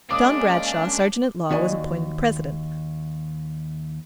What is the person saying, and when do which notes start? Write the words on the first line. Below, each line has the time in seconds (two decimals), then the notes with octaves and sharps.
JOHN BRADSHAW, serjeant-at-law, was appointed president.
0.11 G#3 A#3 C#4 D4 D6 D#6
1.51 D#2 F#4 D5 D#5 G#5